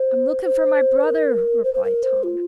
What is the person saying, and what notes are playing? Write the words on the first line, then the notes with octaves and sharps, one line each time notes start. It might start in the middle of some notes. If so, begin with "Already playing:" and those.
"I'm looking for my brother," replied Tom.
Already playing: C5
C5
A#4
C5
C5
A#4
C5
F4